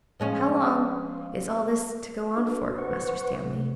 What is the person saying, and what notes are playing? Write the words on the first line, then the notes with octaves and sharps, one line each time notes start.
'How long is all this to go on for, Master Stanley?'
F3 G#3 C#4
D4 F#4 A4 B4
B4 C5 F#5 C#6
C3 A3